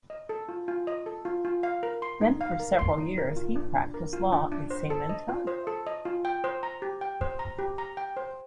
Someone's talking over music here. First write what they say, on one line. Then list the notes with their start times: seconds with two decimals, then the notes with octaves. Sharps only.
Then, for several years, he practiced law in San Antonio.
0.10 D#5
0.29 A4
0.49 F4
0.68 F4
0.87 D#5
1.06 A4
1.25 F4
1.45 F4
1.63 F5
1.83 A#4
2.02 C6
2.21 D#4
2.41 F5
2.60 A#4
2.79 C6
2.98 D#4
3.18 A#4
3.36 F4
3.56 D4
3.75 D4
3.94 A#4
4.13 F4
4.32 D4
4.52 D4
4.71 C5
4.90 A4
5.09 D#5
5.29 F4
5.47 C5
5.67 A4
5.87 D#5
6.05 F4
6.25 G5
6.44 C5
6.63 A#5
6.82 G4
7.01 G5
7.21 C5
7.39 A#5
7.59 G4
7.78 A#5
7.97 G5
8.17 C5